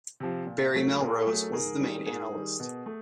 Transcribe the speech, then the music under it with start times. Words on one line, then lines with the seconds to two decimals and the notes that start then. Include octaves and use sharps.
Barry Melrose was the main analyst.
0.20 C3 F3
0.47 A#2
0.74 F#3 A3
1.00 A#2 G#4 A#4
1.27 F#3 A3
1.33 G#4
1.43 A4
1.53 G#2 G#4 A#4
1.79 D#3 G3
2.06 G#2 G#4 A#4
2.32 D#3 G3
2.60 B2
2.86 A3